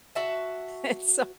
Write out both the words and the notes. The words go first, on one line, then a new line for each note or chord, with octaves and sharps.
And so,
F#4 E5 A5